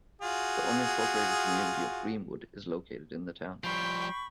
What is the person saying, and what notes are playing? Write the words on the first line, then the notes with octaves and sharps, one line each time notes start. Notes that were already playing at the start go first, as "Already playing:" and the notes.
The unincorporated community of Greenwood is located in the town.
F4 F#4 G#4
F3 G3 G5 B5 C#6